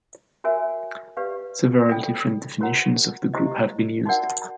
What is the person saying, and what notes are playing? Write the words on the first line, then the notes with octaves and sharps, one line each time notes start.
Several different definitions of the group have been used.
F#4 A#4 C#5 E5 G#5
G4 B4 D5 F5
A4 D5 G5 B5
F#4 A#4 C#5 F#5 A#5
E4 G4 C5 D#5
D#4 F#4 A#4 D5 F#5